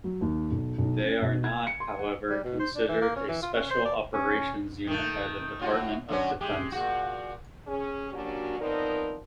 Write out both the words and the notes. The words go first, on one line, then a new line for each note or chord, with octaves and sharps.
They are not, however, considered a special operations unit by the Department of Defense.
F#3
D#2
B1
B1
C#4
B2
G#6
C#7
C6
F#5
G3
B2
C5
D4
E3
A#3
C#4
E3
F4
C#4
C5
D5
C#4
D#3 A3
A2 F4 F#4
D3 F#3 C#4
G#3 G4
A#2 F#4
C#4 G#4
F#3 A#3 C#4 D4 F#4 G4
F3 B3 C4 D#4 A#4 D5